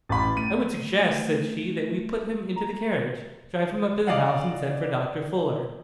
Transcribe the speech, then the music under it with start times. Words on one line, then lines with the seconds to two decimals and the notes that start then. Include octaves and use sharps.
"I would suggest," said she, "that we put him into the carriage, drive him up to the house, and send for Dr. Fuller."
0.09 A1 B5 A6
0.37 A3 D#7
2.56 A#5
4.07 D5 D#5 F5 F#5